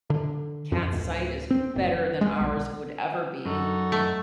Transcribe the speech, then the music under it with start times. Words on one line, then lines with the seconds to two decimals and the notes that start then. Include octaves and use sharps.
cat's sight is better than ours would ever be,
0.10 D3
0.72 F2
0.92 D1
1.51 C4
1.76 F#1
2.21 G#3
2.40 B1
3.45 F#2 D#4 F#4 A4
3.92 A3